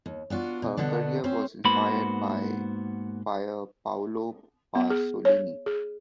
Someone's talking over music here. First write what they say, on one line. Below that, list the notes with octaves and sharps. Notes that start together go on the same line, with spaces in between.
Her career was inspired by Pier Paolo Pasolini.
D#2
B3 D4 F4 F#4
B2
B2 D3 B3 D4
C4 C#4 C5
G#2 A#3 B3 F#4 C5 B5
B3
G#4
C#5
G#4